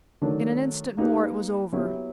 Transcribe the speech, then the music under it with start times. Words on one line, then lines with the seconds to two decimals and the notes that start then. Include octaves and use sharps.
In an instant more it was over.
0.22 D#3 F#3 A3 D4
0.97 A#3 D#4 G4 B4
1.72 F#3 B3 E4 G4